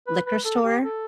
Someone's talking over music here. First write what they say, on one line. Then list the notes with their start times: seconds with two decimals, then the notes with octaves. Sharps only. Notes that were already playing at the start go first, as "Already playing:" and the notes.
liquor store?
0.07 B4
0.26 B4
0.45 A4
0.64 G4
0.83 A4